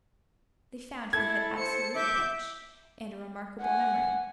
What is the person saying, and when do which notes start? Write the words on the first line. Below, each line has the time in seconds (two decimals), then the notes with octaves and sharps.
They found he had absolute pitch, and a remarkable memory.
1.13 E4 A4 G#6
1.58 C5 C#7
1.96 E5 D6 G6
3.61 F#5 G#5